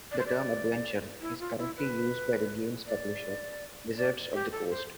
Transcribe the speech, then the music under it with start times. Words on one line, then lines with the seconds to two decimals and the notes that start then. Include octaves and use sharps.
The term "adventure" is currently used by the game's publisher Wizards of the Coast.
0.11 D5
0.19 C5
0.26 D5
1.21 E4
1.40 F4
1.58 E4
1.76 B4
2.86 D5
3.97 D5
4.34 G4
4.52 A4
4.70 C5